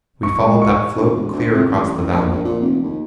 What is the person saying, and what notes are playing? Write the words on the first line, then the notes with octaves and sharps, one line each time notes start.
We followed that "float" clear across the valley.
C#6
G#3
C#6
D2
E1
D2
C3
A1
A1
A#1
A#1
A#2
F1
D#2